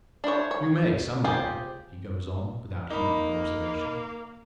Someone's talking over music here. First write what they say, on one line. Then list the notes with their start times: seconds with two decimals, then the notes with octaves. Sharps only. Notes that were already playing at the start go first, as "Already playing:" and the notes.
"You may some day," he goes on, without heeding her observation.
0.24 D4 E4 C5 C#5
0.51 C#5
1.24 F4 G4 G#4 C5 G5
2.90 A#3 D#4 B5